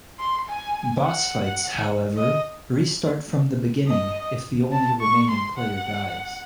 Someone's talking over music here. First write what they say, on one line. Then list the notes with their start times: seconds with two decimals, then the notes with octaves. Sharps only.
Boss fights, however, restart from the beginning if the only remaining player dies.
0.19 C6
0.48 G#5
1.04 F#5
2.17 D#5
3.87 D#5
4.72 A5
5.00 C#6
5.28 C6
5.57 F#5